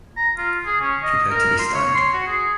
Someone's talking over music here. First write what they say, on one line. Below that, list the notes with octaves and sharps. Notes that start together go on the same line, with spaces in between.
Prepare to be stunned.
A#5
F4
G#4
C#4
D#5
A#4
C6
C#5
C6
F#4
G#4